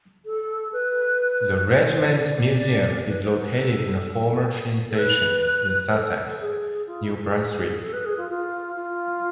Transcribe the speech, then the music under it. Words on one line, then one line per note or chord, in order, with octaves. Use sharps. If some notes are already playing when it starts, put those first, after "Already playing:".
The regiment's museum is located in a former train station in Sussex, New Brunswick.
A4
B4
C5
D5
B4
C5
B4
A4
A4
B4
A4
G#4
F4
E4
A4
G#4
A4
B4
G#4
F4
F4
F4